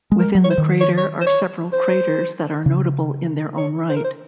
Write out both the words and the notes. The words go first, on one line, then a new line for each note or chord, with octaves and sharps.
Within the crater are several craters that are notable in their own right.
G#3
A#4
F#3
C#5
C5
D#3
C#5
C#5
C5
C#5
C5
C#3
C#5
C5
A#4
C5